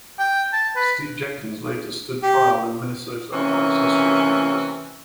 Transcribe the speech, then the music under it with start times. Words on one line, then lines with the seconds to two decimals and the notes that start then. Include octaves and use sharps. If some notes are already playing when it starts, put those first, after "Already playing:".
Steve Jenkins later stood trial in Minnesota on accessory charges.
0.19 G5
0.53 A5
0.76 B4
2.23 G4
3.33 C3 E3 A#3 C#4